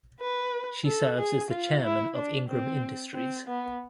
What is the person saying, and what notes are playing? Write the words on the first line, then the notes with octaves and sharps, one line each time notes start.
She serves as the chairman of Ingram Industries.
B4
A4
G#4
F4
E4
D4
C4
C4
B3